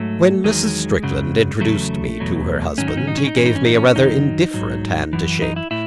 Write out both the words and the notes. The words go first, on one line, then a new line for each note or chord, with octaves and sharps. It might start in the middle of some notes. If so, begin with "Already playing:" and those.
When Mrs. Strickland introduced me to her husband, he gave me a rather indifferent hand to shake.
Already playing: G#2 F#3 A3
E2 D#3 F#3 G#3
F#2 C#3 F#3
E2 C#3 F#3 A3
E2 B2 F#3
G#2 D#3 F#3 C#4
D#4
C#4
D#4
C#4
D#4
G#2 E3 C#4
D#4
C#4
D#4
C#4
F#2 D#3 F#3 D#4
G#2 F#3
F#2 E3
D#4
E4
A2 E4